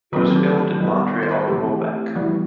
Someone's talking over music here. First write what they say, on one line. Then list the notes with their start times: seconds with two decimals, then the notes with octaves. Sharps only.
It was filmed in Montreal, Quebec.
0.13 D#3 F#3 A3 C4 B4
0.24 A4
0.36 G4
0.47 A4
0.80 D#3 G3 B3
1.23 C5
1.31 B4
1.40 A4
1.48 E3 A3 C4 G4
2.15 E3 G3 B3 F#4